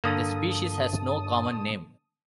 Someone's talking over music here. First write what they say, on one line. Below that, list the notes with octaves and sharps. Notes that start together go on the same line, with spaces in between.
The species has no common name.
G2 D3 A#3 A5 D#6